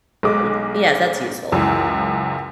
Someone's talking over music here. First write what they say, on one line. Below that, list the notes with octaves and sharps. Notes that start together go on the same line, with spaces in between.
Hmm. Yes. That's useful.
B1 G#3 D6
C#2 F#2 E3